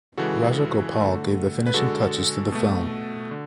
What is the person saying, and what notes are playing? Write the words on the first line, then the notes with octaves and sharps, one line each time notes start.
Rajagopal gave the finishing touches to the film.
C#3 E3 G#3 F#4 A4
D3 A3
B4
D3 G#3 F#4 A4
B2 A3
D3